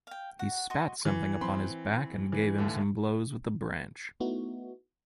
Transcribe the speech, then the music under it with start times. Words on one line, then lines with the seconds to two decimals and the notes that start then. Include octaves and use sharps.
He spat something upon his back and gave him some blows with the branch.
0.07 F5 G5
0.39 F#4 F#5
0.70 F#4 D#5 C6 C#6
1.05 E3
1.41 C4 B5 C6
2.32 E3
2.58 D#2 A2 D3
4.20 A3 B3 D#4 E4 F#4